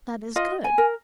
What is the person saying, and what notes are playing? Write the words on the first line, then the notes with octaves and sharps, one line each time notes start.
"That is good."
F4 D#5
G#5
A#4